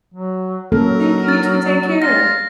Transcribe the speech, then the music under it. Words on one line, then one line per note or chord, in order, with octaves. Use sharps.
Thank you. You too, take care.
F#3
F#3 A#3 C#4 A4 A#4
A6
F4 A#6